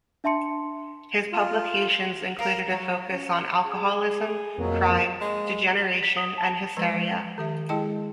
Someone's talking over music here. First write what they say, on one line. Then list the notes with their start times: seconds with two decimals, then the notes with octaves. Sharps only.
His publications included a focus on alcoholism, crime, degeneration and hysteria.
0.24 D4 E5 A5 C6 C#7
1.32 F4
2.39 A#4 F5
2.70 F#3
3.11 C#4
3.65 G#4
4.58 F2 B2 F#3 A#3
5.21 G#3
6.03 B6
6.17 D#6
6.38 A5
6.77 F3 G#3 B4 A#5
7.38 D#3 G4 E5
7.69 G#3 E4 G#4 D#5 G5 A5